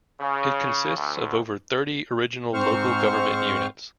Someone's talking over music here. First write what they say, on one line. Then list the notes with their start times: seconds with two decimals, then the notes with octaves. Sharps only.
It consists of over thirty original local government units.
0.20 C#3
0.97 D2
2.54 G#2 C4 C5 C#6 F6